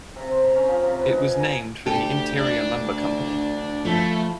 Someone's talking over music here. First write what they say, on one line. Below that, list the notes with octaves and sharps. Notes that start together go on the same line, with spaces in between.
It was named for the Interior Lumber Company.
C3
C5
A#5
C#4
F3
C3
B4
D#5
G#5
A#5
D2 G4 A4
D4
F3 A3 E4